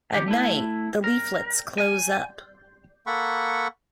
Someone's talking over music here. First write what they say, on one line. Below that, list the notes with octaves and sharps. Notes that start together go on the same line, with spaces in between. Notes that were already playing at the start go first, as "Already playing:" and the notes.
At night, the leaflets close up.
D#3 G4
A3 E4
A#4
G#5
A#3 A4 F#5 B5 C#6